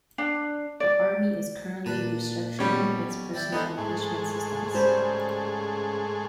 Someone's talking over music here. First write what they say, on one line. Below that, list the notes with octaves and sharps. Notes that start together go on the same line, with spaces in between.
The Army is currently restructuring its personnel management systems.
D4
D5
A#2 D4 B4
B1 B2 G3 C#4
E4 G4 D5
B3 D#4 A4 C5
G#2 A3 G#4
C#3 G3 C5